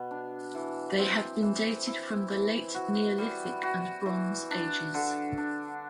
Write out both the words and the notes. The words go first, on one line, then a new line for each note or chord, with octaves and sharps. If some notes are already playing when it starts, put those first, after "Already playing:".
They have been dated from the late Neolithic and Bronze Ages.
Already playing: B2 B3
D4
E3
C4
E3
E4
E3
F#4
G3
F#4
E3
D4
D3
D4